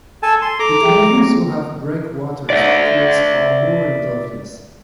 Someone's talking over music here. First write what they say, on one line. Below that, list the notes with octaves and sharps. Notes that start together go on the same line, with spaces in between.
It may also have breakwaters, piers, or mooring dolphins.
A4 G#5 A5
C6
A4 A#5 D6
G#4 E5 G5
A3 A#3 C4
D5 E5